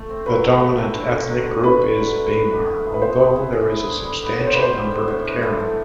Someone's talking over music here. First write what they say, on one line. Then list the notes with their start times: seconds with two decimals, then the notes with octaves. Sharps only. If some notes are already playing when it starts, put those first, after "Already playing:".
The dominant ethnic group is Bamar, although there is a substantial number of Karen.
Already playing: A3
0.09 C4
0.26 F#3 B4
0.44 F#3
0.60 A3
0.77 C4
0.95 D3
1.12 D3
1.29 F#3
1.46 A3
1.63 D3 B4
1.80 D3
1.98 F#3
2.16 A3
2.32 B3
2.50 B3
2.66 E4
2.84 G#4
2.94 B4
3.02 B3 C5
3.19 B3
3.36 E4
3.52 G#4
3.71 E4
3.88 D3
4.04 G3
4.22 B3
4.39 E4 C#5
4.47 C5
4.55 D3 B4
4.62 C5
4.73 G3
4.91 B3
5.08 A2
5.25 A2
5.43 E3
5.60 A3